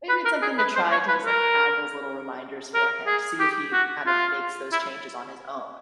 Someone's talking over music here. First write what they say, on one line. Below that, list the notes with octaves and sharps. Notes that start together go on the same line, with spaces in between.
maybe it's something to try to just add those little reminders for him to see if he kind of makes those changes on his own.
B4
A#4
G#4
B4
C5
C#5
B4
A#4
A#4
G#4
G4
F#4
F4
E4